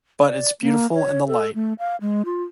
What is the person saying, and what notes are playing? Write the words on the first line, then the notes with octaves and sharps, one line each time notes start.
But it’s beautiful in the light.
D5
A#3
C#5
A4
A3
F5
G#3
F4